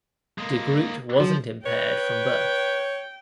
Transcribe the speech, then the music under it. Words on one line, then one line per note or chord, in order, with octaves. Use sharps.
De Groot wasn’t impaired from birth.
G#3 A#3
F3 F#3
B4 C#5 G5